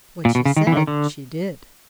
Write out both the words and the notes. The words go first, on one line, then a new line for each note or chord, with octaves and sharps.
What she said, she did.
A#2
B2
C#3
D#3
E3
D3
D#3
D3